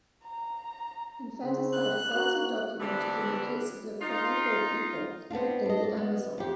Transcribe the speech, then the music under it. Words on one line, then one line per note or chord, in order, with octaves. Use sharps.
Infanticide is also documented in the case of the Korubo people in the Amazon.
A#5
C#3 C4
F#6
A#3 F#4
D3 E3 G3 B3 C4 D4
D#4 F4
B3 C4 D4 F4
D4 D#5
D5
B3
F2 G4